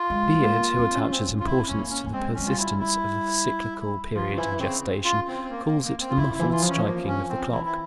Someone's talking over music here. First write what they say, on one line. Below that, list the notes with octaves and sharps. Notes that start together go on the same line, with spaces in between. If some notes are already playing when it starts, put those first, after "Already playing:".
Beard, who attaches importance to the persistence of a cyclical period in gestation, calls it the muffled striking of the clock.
Already playing: F4
G#3
G#3
A#3
C4
C#4
C4
C4
F4
C4 E4
C4 C#4
A#3
C#4
A#3
G#3 C4
G#3 C#4
G3 F4
E4
E4
F3 F4
C#3
E3 E4
C#3 C4
F4
C4
C4
A#3
A#3
A#3
C4
F4
C#3 E4
E4
E3
F4
F3
E3 C#4
F3
A#3
C#4
C4
E3 E4
E4